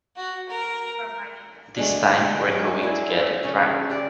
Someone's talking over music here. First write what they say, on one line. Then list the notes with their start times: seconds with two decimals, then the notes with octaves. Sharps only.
This time we're going to get it right.
0.16 F#4
0.48 A#4
1.77 D3 G#3 A3
2.18 G#3
2.48 F#3 G#3
2.82 D4 E4 G#4
3.43 C#3 C#4
3.90 G4 D5